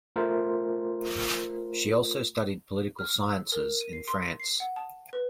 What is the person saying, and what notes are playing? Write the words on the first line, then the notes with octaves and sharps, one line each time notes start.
She also studied Political Sciences in France.
A3 F4 A#4 C5
F6
E6
A#4
D#7
C7
C6
C7
F#5
A5
B4